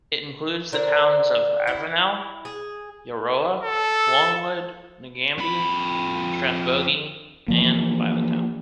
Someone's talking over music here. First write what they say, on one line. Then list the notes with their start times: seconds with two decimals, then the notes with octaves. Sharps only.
It includes the towns of Avenel, Euroa, Longwood, Nagambie, Strathbogie and Violet Town.
0.72 D3 A#4 C5
1.67 E4
2.45 G#4
3.63 A4
5.38 F2 B5
7.48 E3 F3 A#3